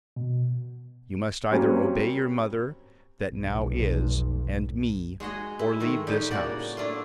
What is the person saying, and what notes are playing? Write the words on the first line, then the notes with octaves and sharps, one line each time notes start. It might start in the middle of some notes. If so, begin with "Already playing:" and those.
You must either obey your mother that now is, and me, or leave this house.
B2
F#3 G3 A#3 C4 C#4
F1 B1
G#3 F#4 G#4 D#5
E4
D#3 G#3 A3
A2 G3 D#4 G4
A2 C#3 A#3 F#4 D5 F#5
A3 D4 E4 F4